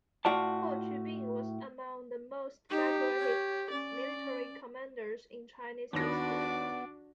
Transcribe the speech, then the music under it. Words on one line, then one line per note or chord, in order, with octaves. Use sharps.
Huo Qubing was among the most decorated military commanders in Chinese history.
A2 F4 F#4 D5 A5
D#4 G4
C#5
C#4 D5
D#2 B3 D4 F#4 D5 D6 A#6